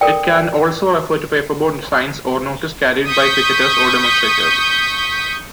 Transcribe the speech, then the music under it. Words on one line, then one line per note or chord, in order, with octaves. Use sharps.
It can also refer to paperboard signs or notice carried by picketers or demonstrators.
A4 A#4 D5 G5
C#6 D#6 G6 B6